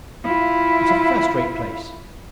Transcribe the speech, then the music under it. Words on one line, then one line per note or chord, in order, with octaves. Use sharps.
It's a first-rate place!'
E4 F4